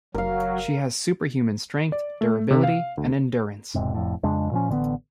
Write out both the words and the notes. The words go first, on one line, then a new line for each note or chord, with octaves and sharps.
She has superhuman strength, durability, and endurance.
F#1 F#3 A#4 F5
D5
A3
C3
F5
D2
E1 G#2 C3
F1 F2 A2
F2 C#3 G#3 D4
A#2 F3 C#4
A1 D3 D#3 B3